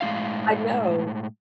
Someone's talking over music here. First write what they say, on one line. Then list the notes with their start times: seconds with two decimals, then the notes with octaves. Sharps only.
I know.
0.01 A2 G#3 D#4 F5